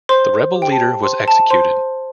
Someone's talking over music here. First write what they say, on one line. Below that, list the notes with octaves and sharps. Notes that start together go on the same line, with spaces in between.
The rebel leader was executed.
C5 C6
G4
G5
A5
C5 C6
A5
C5 C6